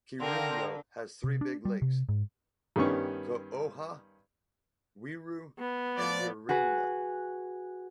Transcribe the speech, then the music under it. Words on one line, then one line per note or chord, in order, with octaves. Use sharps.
Kirundo has three big lakes: Cohoha, Rweru, and Rwihinda.
D3 A#4 F5 G5 C6 A#6
C3
D4
G3
C3
G#2
G2 D#3 G3 B3 C#4 C#6
B3
F3 D5
F#4 G#4 B4